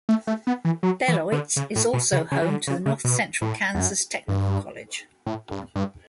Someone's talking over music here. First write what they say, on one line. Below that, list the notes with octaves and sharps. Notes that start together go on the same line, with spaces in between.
Beloit is also home to the North Central Kansas Technical College.
A3
A3
B3
E3
F#3
E3
D3
C#3
A2
B2
C#3
C#3
E3
D3
C#3
C#3
B2
A2
E2
F#2
G2
A2
G2
G2